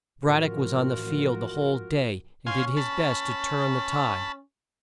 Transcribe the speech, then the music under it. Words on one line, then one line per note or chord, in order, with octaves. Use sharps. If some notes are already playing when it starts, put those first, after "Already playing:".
Brad-dock was on the field the whole day, and did his best to turn the tide.
A1 F3 F4 F#4 A#4
C#4 F5 G#5 C6
A5 B5